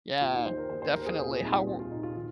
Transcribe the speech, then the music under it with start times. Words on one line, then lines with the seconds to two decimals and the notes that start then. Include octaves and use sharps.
Yeah, definitely. How w
0.21 D#2 F4
0.33 D#4
0.46 D#3 C5
0.58 A#4
0.69 D#2 C5
0.82 C5
0.94 D#2 A#4
1.06 G#4
1.18 A#2 G#4
1.30 F4
1.43 C2 D#4
1.55 F4
1.67 C2 F4
1.80 F4
1.91 A#2 D#4
2.03 F4
2.16 D#3 F4